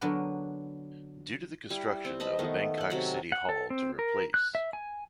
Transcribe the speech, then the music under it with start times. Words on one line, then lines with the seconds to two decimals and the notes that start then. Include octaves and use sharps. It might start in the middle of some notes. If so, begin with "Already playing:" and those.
Due to the construction of the Bangkok City Hall to replace.
0.01 D3 F#3 B3 D4 A#4 B4
1.70 G3 E4
2.05 C4
2.20 B4 D#5 A5 B5
2.39 D#3 A3 B3
2.78 A4 B5
2.90 C3 F#3 B5
3.32 F#5
3.49 A4
3.70 C4
3.99 A#4
4.34 F#6
4.55 E5
4.73 G#5